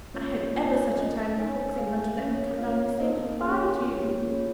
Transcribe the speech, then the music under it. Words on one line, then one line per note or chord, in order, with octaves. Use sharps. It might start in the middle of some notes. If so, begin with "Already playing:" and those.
I had ever such a time coaxing her to let me come down and say good-bye to you.
A#3 C#4 F4 C#5
F4 A#4 C#5 G#5
C#4 A#4 D#5
D#4 C#5 G#5
G#4 F5 G#5
C#4 A#4 C#5
F4 C#5 F5
A#3 D#4 A#4 D#5
C#4 G#4 C#5 G#5
A#3 F4 A#4 C#5
C#4 F4 G#4 C#5